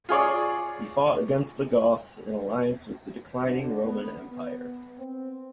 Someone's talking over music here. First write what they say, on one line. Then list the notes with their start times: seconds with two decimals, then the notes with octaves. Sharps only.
He fought against the Goths in alliance with the declining Roman Empire.
0.09 F4 G#4 C#5 D5
3.46 D3
3.81 B3
4.29 B3
4.98 C4